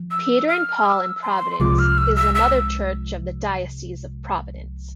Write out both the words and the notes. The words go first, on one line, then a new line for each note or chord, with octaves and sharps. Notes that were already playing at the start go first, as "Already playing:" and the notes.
Peter and Paul in Providence is the mother church of the diocese of Providence.
Already playing: F3
E6
F6
E6
C6
C2 C3 F3 G#3 D6
F6
E6
E6
E6